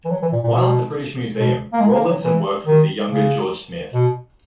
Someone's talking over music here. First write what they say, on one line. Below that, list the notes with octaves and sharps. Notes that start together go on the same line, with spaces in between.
While at the British Museum, Rawlinson worked with the younger George Smith.
E3
F#3
E3
A#2
A#2
B2
B2
A#3
G#3
A#3
F#3
E3
D#3
C#3
B2